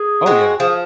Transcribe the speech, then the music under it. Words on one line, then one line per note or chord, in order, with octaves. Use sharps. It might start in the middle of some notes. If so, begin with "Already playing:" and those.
Oh, yeah.
Already playing: G#4
G#3 C4 F#4
F3 G#4